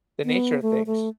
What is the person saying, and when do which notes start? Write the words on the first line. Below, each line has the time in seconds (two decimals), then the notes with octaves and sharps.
the nature of things.
0.25 B3
0.62 A3
0.86 A3